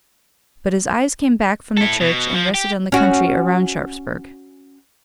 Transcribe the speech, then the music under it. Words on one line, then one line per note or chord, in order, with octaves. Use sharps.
But his eyes came back from the church and rested on the country around Sharpsburg.
E4 A4
B2
F3
G4
C#4 F#4